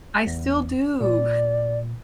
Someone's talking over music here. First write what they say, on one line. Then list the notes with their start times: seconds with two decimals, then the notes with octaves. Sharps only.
I still do.
0.27 E2
1.01 A#2 D5